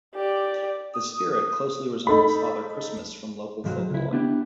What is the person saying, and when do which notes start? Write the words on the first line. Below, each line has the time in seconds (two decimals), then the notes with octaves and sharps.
The Spirit closely resembles Father Christmas from local folklore.
0.14 G4 D5
0.94 D#6
2.07 D#4 A4 B5
3.64 C2 G#2 F3 F#3
3.90 C#2 E4
4.13 B3 D4 E4 G4